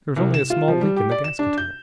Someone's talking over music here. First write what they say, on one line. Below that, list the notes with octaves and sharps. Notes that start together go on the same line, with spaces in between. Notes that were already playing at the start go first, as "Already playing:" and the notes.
There is only a small leak in the gas container.
C2
E7
F4
F3
G3
G4
D5
E7
D4
G6